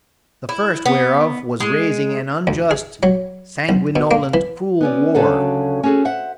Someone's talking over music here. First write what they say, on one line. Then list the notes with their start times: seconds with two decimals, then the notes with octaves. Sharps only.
The first whereof was raising an unjust, sanguinolent, cruel War.
0.49 E4
0.85 B3
1.60 G#3
2.47 D2
2.71 G#4
3.03 F#3
3.69 B1
3.96 B2
4.11 A#3
4.34 E3
4.81 B3 C#4 D5
5.14 D2 C#3 F#3 D4 A4 F#5
5.83 C#4 F#4 G#4 A4
6.05 C5 E5 F#5